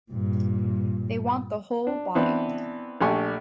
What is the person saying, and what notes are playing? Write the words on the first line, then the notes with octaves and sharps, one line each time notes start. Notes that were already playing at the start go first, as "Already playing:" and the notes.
They want the whole body.
G2 A#2
D4
E3 B3 C4 D4
A#1 A3 D4 G4 G#5 C#6